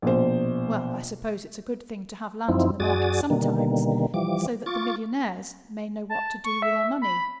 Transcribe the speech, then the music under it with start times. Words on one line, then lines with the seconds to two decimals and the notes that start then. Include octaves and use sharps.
"Well, I suppose it's a good thing to have land in the market sometimes, so that the millionnaires may know what to do with their money."
0.02 A#1 B2 C5
2.48 F#2 F3 C4 D#4 E4
2.80 F#2 F#4 G#4 D5 D#6 A6
3.30 B2 D3 D#3 G3 A#3
4.14 E3 F3 G3 D6
4.66 F4 C#6 D6 A6
6.10 A5
6.44 C#6
6.62 E5
7.02 B5